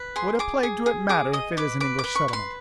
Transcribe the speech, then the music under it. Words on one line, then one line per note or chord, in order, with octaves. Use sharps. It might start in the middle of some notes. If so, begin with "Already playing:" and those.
What a plague do it matter if it is an English settlement?
Already playing: B4
G#4 C6
G#4 D6
G#4
G#4
G#4 D6
D#5 D#6
B4 D6
B4 D6
D6
B4
C#6
B4 C6